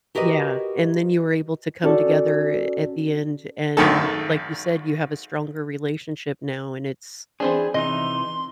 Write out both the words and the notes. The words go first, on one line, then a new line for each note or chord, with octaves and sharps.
Yeah, and then you were able to come together at the end, and, like you said, you have a stronger relationship now, and it's
F#4 G4 A#4 B4 D#5
C#4 F#4 A4 D5
G#1 F#2 D#3 A4
E3 C4 D4 G#4
C3 E3 D#4 D#5 C6